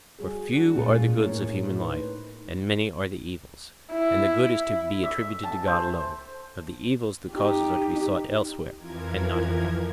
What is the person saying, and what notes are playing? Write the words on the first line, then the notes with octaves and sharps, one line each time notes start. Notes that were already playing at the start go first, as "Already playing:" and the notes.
For few are the goods of human life, and many are the evils, and the good is to be attributed to God alone; of the evils the causes are to be sought elsewhere, and not in him.
G3 F#4 G#4
G#3 D4 F#4
A#2 A3 A#3 C#4 F4 G#4
A2 E4 A#4 C#5
D#4 B4 C5
E4
E5
A5
C5
D#4 G4
F2 E3 F3 A#4 G#6